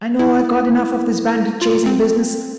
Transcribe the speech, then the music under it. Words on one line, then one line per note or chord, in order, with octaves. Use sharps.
I know I've got enough of this bandit-chasing business.
E4
F4
C4